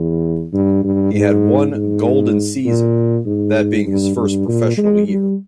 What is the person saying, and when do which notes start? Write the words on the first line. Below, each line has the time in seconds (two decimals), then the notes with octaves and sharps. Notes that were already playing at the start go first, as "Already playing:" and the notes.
He had one "golden" season-that being his first professional year.
Already playing: E2
0.53 G2
0.84 G2
1.14 G#2
1.75 G#2
2.65 A#2
3.26 G#2
3.87 G2
4.17 G2
4.48 A#2
4.78 G#3
5.08 G3